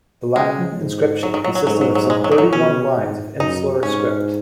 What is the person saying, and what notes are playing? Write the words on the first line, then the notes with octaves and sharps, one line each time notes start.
The Latin inscription consisted of some thirty-one lines of insular script.
C#3 G#3
G#2
F#3
D#3
F#3
F#3
G#2 F#3
F#3
F#3
G#3
F#3
D#3
F#3
B2 C#4
G#2
F#2 D#4
G#2 C#4